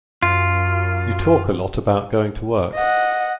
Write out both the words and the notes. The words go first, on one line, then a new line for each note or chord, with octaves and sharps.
You talk a lot about going to work.
F#2 F4
D#5 F#5